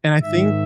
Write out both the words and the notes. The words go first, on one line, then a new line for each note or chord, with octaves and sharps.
And I think
G#2 D#3 E5